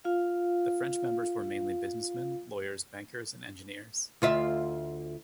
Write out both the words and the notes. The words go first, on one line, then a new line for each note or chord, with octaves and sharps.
The French members were mainly businessmen, lawyers, bankers and engineers.
F4 F5
D2 F4 E5